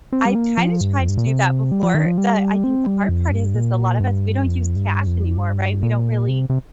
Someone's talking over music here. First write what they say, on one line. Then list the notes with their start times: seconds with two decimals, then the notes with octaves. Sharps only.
I kinda tried to do that before, but I think the hard part is is a lot of us, we don't use cash anymore, right? We don't really
0.13 C4
0.25 G3
0.35 A#3
0.58 F3
0.81 G2
1.00 F2
1.09 G2
1.18 A#2
1.27 C3
1.72 G3
1.83 F3
1.95 D#3
2.06 F3
2.18 G3
2.64 C4
2.87 G3
3.09 F2
3.31 G2
3.55 A#2
4.00 G2
4.46 F2
4.76 G2
5.07 F2
5.37 G2
5.83 A#2
6.28 C3
6.50 C3